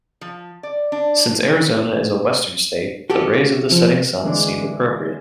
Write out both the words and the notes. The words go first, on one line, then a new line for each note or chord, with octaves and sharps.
Since Arizona is a western state, the rays of the setting sun seemed appropriate.
F3
D5
D4
F#4 G4 A4
F3
D3 E3 G#3 D4